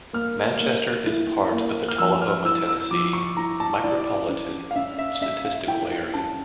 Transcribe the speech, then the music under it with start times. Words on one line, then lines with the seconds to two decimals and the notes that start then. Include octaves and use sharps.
Manchester is part of the Tullahoma, Tennessee Micropolitan Statistical Area.
0.13 A#3 F6
0.61 A#3
1.06 E4
1.52 A#3
1.88 F6
1.98 F3 E6
2.22 F6
2.45 E4 E6
2.67 E6
2.90 F3 D6
3.13 C#6
3.37 E4 A#5
3.60 A5
3.83 E4 D5
3.98 D5
4.29 C#4
4.71 F5
4.76 C#4 E5
4.98 E5
5.21 C#4 E5
5.45 F5
5.67 E4 G5
6.14 C#4 A5